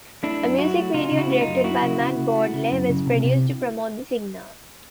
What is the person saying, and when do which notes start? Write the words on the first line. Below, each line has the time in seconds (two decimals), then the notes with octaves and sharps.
A music video directed by Matt Broadley was produced to promote the single.
0.23 A3 D4 E4
0.41 F#2
0.59 F#3 E4 F#4
0.76 A3
0.94 C#3 D#4 F4
1.11 C#3
1.18 E4 F#4
1.30 A3
1.41 D#4 F4
1.47 F#2
1.64 F#3 E4 F#4
1.82 C#3
2.00 C#3
2.17 C#3
2.35 A3
2.53 C#3
2.71 F#2
2.89 C#3
3.06 C3
3.24 C3